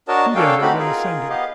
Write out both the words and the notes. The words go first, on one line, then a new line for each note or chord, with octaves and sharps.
Jude entered and ascended.
D4 F#4 A#4 C#5 D#5 A5
A#3 C#4 D4 A4 F5 G5
A3 C4 D#4 F#4 G4 B5
D#4 F4 G#4 A#4
B3 G4 D#5 F5